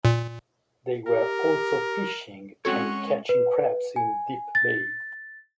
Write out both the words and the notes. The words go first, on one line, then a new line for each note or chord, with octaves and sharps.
They were also fishing and catching crabs in Deep Bay.
A#2
G4 A#4
G#3 C4 C#4 F#4 A4 C#5 F#5 C#6
B4
G#5
A6